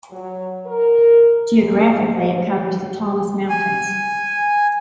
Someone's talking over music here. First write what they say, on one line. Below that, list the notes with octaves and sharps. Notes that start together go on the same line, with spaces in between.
Geographically it covers the Taunus mountains.
F#3
A#4
F#2
G#2
G#5